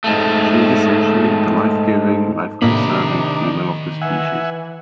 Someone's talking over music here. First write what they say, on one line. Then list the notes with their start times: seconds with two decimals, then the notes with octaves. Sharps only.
She is essentially the life-giving, life-conserving female of the species.
0.04 G#2 A3
2.62 A2 C3 D#3 A#3 D4 D#4 B5
4.02 E3 E5 F#5 G#5